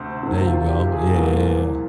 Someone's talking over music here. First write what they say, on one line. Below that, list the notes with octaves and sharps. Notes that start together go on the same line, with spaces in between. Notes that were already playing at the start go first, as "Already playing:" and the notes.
There you go, yeah.
Already playing: D2 C3 C5
D2 C3 D#3
F4
G4
G#4
C2 A#2 F3 A#4